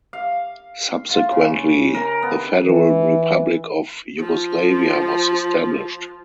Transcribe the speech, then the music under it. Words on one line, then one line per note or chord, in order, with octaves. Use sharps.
Subsequently, the Federal Republic of Yugoslavia was established.
F5
F4
C#3
A#4
B3
E3
F3 F4